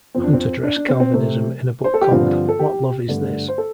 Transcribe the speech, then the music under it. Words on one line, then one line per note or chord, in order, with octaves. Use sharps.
Hunt addressed Calvinism in a book called What Love is This?
F2 F3 C4
D4
C4
D4
D4
C4
C4
C3 A3 C4
C5
A4
G4
G2 D3 F3 C4 F4
A4
G4
G2 D3 A3
C5
A4